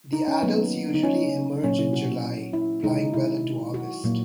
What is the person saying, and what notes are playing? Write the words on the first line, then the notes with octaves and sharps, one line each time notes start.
The adults usually emerge in July, flying well into August.
D#4
C#4
D#3 F#3 A#3 B3
D#4
C#4
A#2 F#3 A#3 C#4
E4
F#4
E4
D#3 G#3 D#4
E4
F#4
A#2 F#3 A#3